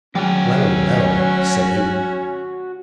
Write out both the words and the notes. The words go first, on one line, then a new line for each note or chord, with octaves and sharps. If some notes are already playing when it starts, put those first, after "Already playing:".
"Well, well!" said he.
F#3 C#4 F#4 D5 G5